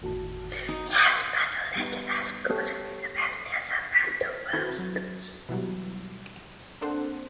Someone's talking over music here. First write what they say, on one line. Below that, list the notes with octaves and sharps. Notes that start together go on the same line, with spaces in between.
He has taught and lectured at schools and universities around the world.
G1 E2 A2 D#3 F#4 A5
D#4
G3 B3 D#4
G4 A4 C#5
D#3 C4 E4 F#4 A4 B4
F#3
B2 E3 F#3 G3
A#3 C4 D4 A4 C5 F#5